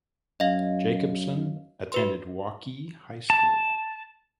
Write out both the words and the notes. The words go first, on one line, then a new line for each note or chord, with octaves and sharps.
Jacobson attended Waukee High School.
F#2 D#5 F5
F#4 B4 C6
A5